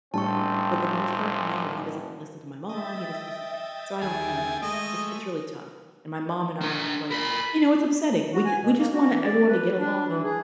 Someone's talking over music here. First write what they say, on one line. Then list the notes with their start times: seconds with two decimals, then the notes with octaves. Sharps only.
for the most part, no, he doesn't listen to my mom, he doesn't listen so I don't know. It's it's really tough, and my mom and I are, like you know, it's upsetting. We ju we just wanna everyone to get along and
0.14 F#1 A2 G3 C4 D4 A5 C#6
2.69 D#5 E5 G5 A6
4.02 D#2 G#4 G#5
4.62 G#3 A3 D#5
6.61 D4 A#4
7.11 A#4 D5 B5
8.33 F#4
8.45 G#5
8.61 B2
8.77 A#3
8.93 F#4
9.09 E3
9.23 D5
9.48 B4
9.79 D4
10.06 E3
10.24 G#4